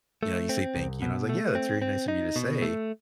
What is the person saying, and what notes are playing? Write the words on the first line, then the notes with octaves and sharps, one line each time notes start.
you know, you say thank you. And I was like, "Yeah, that's very nice of you to say."
A3
C4
C2
B2
A3
C4
C4
D#4
B2
A3